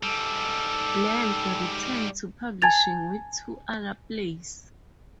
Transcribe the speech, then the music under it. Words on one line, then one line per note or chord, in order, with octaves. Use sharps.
Blank returned to publishing with two other plays.
G#2 G3 A4
G#5 A5 G#6 A6 F7